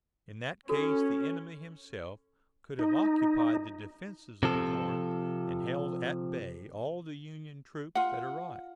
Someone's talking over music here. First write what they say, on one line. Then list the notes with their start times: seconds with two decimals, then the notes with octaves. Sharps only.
In that case the enemy himself could have occupied the defences of Corinth and held at bay all the Union troops that arrived.
0.69 C#4 F#4 A4
2.79 D#4
4.43 C3 F3 A4
7.95 F4 F#5